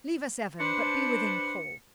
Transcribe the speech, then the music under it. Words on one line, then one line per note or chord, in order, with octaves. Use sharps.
Leave us, Evan, but be within call.'
D4 B4 C5 C#7